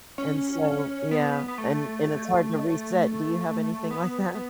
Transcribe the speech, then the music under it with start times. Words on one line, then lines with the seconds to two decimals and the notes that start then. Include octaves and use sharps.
And so, yeah, and and it's hard to reset, do you have anything like that?
0.18 C#4
1.11 B3
1.48 B3
1.58 A3
3.91 B3